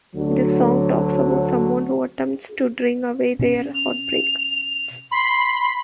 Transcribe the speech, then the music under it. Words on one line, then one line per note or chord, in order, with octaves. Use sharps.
This song talks about someone who attempts to drink away their heartbreak.
D2 D3 F#3
B2 C#4
F7
B5 C6